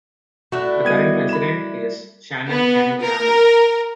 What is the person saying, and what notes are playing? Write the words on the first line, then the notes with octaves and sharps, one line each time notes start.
The current president is Shannon M. Grammel.
A3 D4 E4 F#4
G3 B3 F#4 D#5 G#6 D#7
B5 E7
B3
A#4